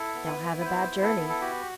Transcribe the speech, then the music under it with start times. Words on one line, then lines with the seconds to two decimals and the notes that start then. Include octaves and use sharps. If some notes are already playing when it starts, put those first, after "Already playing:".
'They'll have a bad journey.'
Already playing: E4 A4
0.14 B3
0.26 B4
0.39 E4
0.60 B4
0.65 B3 C5
0.90 E4
1.03 A4
1.16 B3
1.29 A4
1.41 F#4 G4